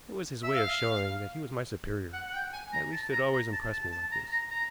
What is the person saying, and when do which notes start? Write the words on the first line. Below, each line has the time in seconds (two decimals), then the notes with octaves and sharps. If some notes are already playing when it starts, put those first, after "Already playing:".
It was his way of showing that he was my superior--at least, it always impressed me like this.
0.43 E5
0.55 F5
2.13 F#5
2.27 F#5
2.34 G5
2.53 G#5
2.73 A#5
2.93 A5
3.12 A#5
3.32 A#5
3.53 A5
3.73 A5
3.92 A5
4.12 A#5
4.31 A#5
4.51 A#5